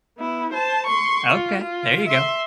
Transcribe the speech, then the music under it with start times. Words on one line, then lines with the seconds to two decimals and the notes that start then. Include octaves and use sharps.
Okay, there you go.
0.18 B3 E4
0.54 C5 A5
0.87 C6 C#6
1.32 F4
1.62 F4
2.08 E5 C6